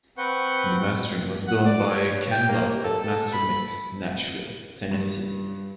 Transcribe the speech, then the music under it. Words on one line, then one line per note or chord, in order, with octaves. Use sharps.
The mastering was done by Ken Love at MasterMix, Nashville, Tennessee.
C4 B4 F#5 C#6 G6
F#5
D5
C#5
G5
A#3
G4
A4
A4
B5
G2